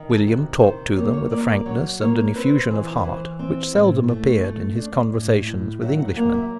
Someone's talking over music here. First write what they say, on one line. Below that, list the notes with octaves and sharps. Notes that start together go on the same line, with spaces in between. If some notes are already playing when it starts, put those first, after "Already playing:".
William talked to them with a frankness and an effusion of heart which seldom appeared in his conversations with Englishmen.
Already playing: D#3
A4
C3 F#4
D#3 C5
A#3 C#5
C#5
A#3 D5
D5
F#3 C#5
A#3 C#5
C4 B4
E3
B4
E3 C5
C4
A2
A3
A3
D4
A2
A2
F#3 E5
F#5
A#3 F5
E5